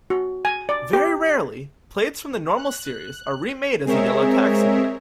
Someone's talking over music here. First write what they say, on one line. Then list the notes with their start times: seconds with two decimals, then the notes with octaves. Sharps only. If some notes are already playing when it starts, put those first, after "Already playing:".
Very rarely, plates from the normal series are remade as a yellow taxi plate.
0.10 F#4
0.45 G#5
0.69 D5
0.93 G4
2.56 F#6
3.85 G#3 C4 G#4 A#4 C#5 E5